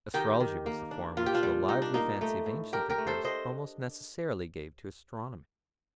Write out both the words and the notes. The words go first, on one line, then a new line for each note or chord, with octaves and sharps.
Astrology was the form which the lively fancy of ancient thinkers almost necessarily gave to astronomy.
D#3 D#4 G4
D#3
A#3
D4
A#2 F4
G4
D4 F4
G3
G3 D#4
D4
A#3 D#4
A3 D#4
A2
D4 G4 A#4
G4 A#4
A3
A4 C5
D4 C5 D#5